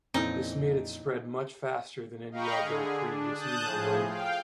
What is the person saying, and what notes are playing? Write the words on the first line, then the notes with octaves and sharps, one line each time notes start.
This made it spread much faster than any other previous email worm.
F2 A#2 E3 C4 C#4 D#4 A4
D#5 F5 G5 A#5 B5 C#6
D3 G#4
D4
A5 D#6 F#6 G6
A2 F3 G#4
F5 G5